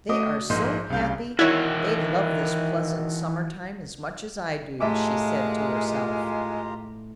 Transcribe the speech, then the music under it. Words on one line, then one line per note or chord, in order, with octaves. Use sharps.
"They are so happy; they love this pleasant summer-time as much as I do," she said to herself.
A3 F#4 D#5 D6 D#6
A#1 G#2 A#3 D#5 C6 G6
C2 C#3 F5 G6
D#3 E3 E4 F#4 C#5
A2 G#3 F4 G4 A#4 E5 D6